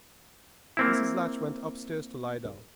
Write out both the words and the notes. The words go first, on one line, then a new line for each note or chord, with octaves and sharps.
Mrs. Latch went upstairs to lie down.
A#3 C4 E4